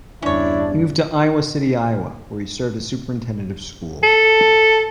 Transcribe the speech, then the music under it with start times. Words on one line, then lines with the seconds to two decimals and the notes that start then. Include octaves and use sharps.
He moved to Iowa City, Iowa, where he served as Superintendent of Schools.
0.22 E2 G2 C#3 C#4 D4 E4 C#5
4.03 A4